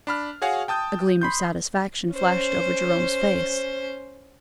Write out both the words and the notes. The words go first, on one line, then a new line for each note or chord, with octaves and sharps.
A gleam of satisfaction flashed over Jerome's face.
D4 B5 F6
F#4 G#4 C#5 F5 F#5 G#5
G5 A5 D#6 G6
B5 C6 G6
C#4 C5